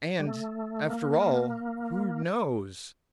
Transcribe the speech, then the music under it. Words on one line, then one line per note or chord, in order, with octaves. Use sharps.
And, after all, who knows?'
G3
A3
A#3